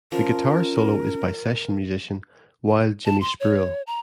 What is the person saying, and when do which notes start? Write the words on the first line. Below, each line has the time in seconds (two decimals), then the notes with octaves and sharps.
The guitar solo is by session musician Wild Jimmy Spruill.
0.12 F3 C#4 A#4
3.05 A5
3.21 C6
3.40 C#5
3.87 A#5